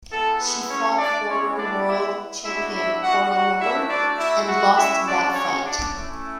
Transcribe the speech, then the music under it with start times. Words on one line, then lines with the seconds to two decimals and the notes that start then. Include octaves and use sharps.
She fought former world champion Cora Webber, and lost that fight.
0.11 G#3 B3 E4 A4
0.41 B3 B4
0.69 C#4 C#5
0.98 D4 D5
1.28 B3 C#4 E4 C#5
1.57 D4 D5
1.86 E4 E5
2.44 B3 D4 E4 F#4 E5
2.73 E4 E5
3.02 F#4 F#5
3.31 F#4 F#5
3.60 A3 D4 E4 F#4 E5
3.89 D4 D5
4.18 E4 E5
4.48 F#4 F#5
4.76 G#3 C#4 E4 F#4 E5
5.06 D4 D5
5.35 C#4 C#5
5.64 D4 D5
5.93 A3 C#4 E4